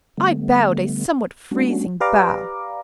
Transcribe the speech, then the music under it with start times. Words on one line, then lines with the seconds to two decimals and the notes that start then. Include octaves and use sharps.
I bowed a somewhat, freezing bow.
0.17 D3 G3 A3 B3
1.51 G3 A3 B3 C#4 D4 F#4
2.00 G4 B4 D5 F5 A#5 D6